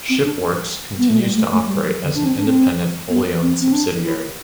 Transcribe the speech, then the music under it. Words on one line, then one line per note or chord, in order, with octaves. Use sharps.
ShipWorks continues to operate as an independent, wholly owned subsidiary.
C4
D4
B3
A3
G3
A3
A3
G3
F#3
D3
D4
C4
D4
C4
B3
C4
C4
D4
E4